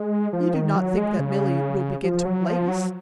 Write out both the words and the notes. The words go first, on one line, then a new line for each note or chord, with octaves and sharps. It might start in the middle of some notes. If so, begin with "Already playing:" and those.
"You do not think that Milly will begin to lace?"
Already playing: G#3
F3
D#3
F#3
G#3
C#3
F3
F#3
F3
F#3